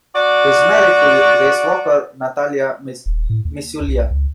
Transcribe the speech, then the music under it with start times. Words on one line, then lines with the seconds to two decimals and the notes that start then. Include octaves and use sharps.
He is married to racewalker Natalya Misyulya.
0.15 F#4 D5
3.06 D#1
3.29 A2
3.45 D#2
3.87 B1
4.10 C#2